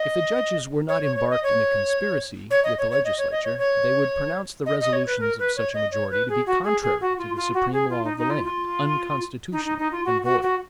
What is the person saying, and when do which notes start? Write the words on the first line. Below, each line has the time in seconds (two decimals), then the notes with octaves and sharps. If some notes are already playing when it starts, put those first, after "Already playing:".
If the judges were not embarked in a conspiracy with the legislature, they would pronounce the resolutions of such a majority to be contrary to the supreme law of the land, unconstitutional, and void.
Already playing: D#5
0.89 C#5
1.03 C#5
1.16 C#5
1.30 D#5
1.43 C#5
2.51 C#5
2.64 D#5
2.78 C#5
2.91 C#5
3.05 D#5
3.18 C#5
3.32 D#5
3.45 C#5
3.58 C#5
4.66 D#5
4.80 D#5
4.93 C#5
5.07 B4
5.20 A#4
5.39 B4
5.56 C#5
5.74 D#5
5.92 C#5
6.11 B4
6.29 G#4
6.46 F#4
6.64 G#4
6.82 G#4
7.01 F#4
7.18 F4
7.36 F4
7.54 F#4
7.73 G#4
7.90 F4
8.04 D#4
8.17 D#4
8.30 F4
8.44 F4
9.52 D#4
9.65 D#4
9.79 D#4
9.92 F4
10.05 F#4
10.24 F#4
10.42 F#4